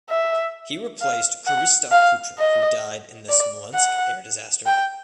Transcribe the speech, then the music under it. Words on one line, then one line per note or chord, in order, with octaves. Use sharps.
He replaced Krzysztof Putra who died in the Smolensk air disaster.
E5
F5
F#5
F5
D#5
D5
F#5
G5